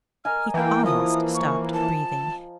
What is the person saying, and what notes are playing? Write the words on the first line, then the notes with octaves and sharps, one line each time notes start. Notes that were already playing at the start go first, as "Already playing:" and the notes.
He almost stopped breathing.
A#4 D#5 G#5 F6
E3 A#3 G5
F3 D#6
C#6
A5